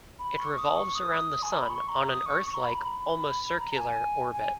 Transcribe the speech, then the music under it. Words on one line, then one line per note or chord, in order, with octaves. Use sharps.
It revolves around the Sun on an Earth-like, almost circular, orbit.
B5
C#6
D#6
C#6
D#6
G#5
A#5
B5
C#6
A#5
D#6
C#6
C#6
A#5
B5
A#5
B5
A#5
A#5
G#5
G#5